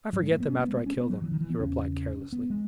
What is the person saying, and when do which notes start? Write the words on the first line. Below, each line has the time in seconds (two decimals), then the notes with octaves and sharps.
"I forget them after I kill them," he replied carelessly.
0.13 G#2 F#3
0.22 G#3
0.31 A3
0.40 B3
0.49 C#4
0.59 B3
0.68 G#3
0.77 B3
0.86 C#4
0.98 B3
1.10 F#3
1.22 E3
1.32 D#3
1.41 E3
1.50 B3
1.59 E2 C#3 C#4
2.33 B3
2.50 G#3